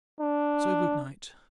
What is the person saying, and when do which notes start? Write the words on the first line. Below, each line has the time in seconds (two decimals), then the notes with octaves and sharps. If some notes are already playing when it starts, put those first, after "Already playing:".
So good night.
0.20 D4